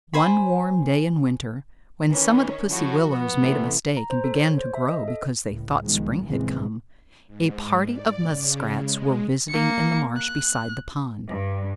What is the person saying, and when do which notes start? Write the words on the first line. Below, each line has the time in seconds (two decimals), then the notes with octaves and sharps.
One warm day in winter, when some of the pussy-willows made a mistake and began to grow because they thought spring had come, a party of Muskrats were visiting in the marsh beside the pond.
0.14 C5 G#5 B5
2.10 D#3 E3 C#4
2.70 A2 F3 F#4
3.09 B3
3.41 C3 E3 A3
3.97 A#5
4.10 C5
4.24 A4
4.36 C#5
4.58 C5
4.74 E5
4.89 D#5
5.08 A4
5.49 C#2 A2
5.82 C2 B2 D#3 F3 G#3
6.27 A#1 E2 C#3 E3 G#3 C4
7.27 G#2
7.88 D5
8.26 C#3
8.75 G#3
9.49 A#3 C#7
10.17 F#6
11.29 G2